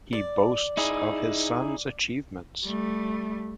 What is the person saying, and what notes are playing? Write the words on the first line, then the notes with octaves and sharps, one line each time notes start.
He boasts of his sons achievements.
D5
D#4 E4 G#4
G3 A3